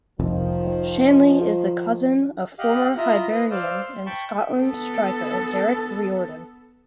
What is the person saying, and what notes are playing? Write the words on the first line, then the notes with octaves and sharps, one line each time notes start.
Shanley is the cousin of former Hibernian and Scotland striker Derek Riordan.
F1 C2 F2 D#3 F3
G4 D#5 F5 F#5
E4 F4 D#5 E5 A#5
B4 D#5
C5 D5 F5 E6
C6
G5 A5 B5 C#6
B3 A4